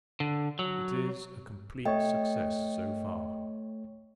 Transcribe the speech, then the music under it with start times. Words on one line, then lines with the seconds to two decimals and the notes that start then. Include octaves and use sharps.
It is a complete success so far.
0.20 D3
0.59 F#3
1.86 A3 C#5 D#5 G5